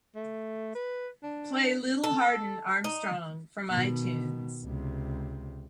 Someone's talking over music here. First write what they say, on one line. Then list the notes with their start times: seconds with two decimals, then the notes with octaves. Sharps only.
Play Lil Hardin Armstrong from Itunes.
0.15 A3
0.75 B4
1.23 D4
2.04 A4
2.84 D#4
3.71 B2 D#3
4.64 C#2 C3